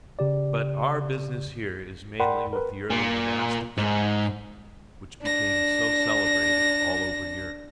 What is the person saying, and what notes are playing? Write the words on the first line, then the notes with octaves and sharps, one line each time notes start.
But our business here is mainly with the early monastic schools, which became so celebrated all over Europe.
C#3 G4 D5
A#4 D5 F#5 G5 B5 C6
A#4 B4
A#2
G#2
D4 A#6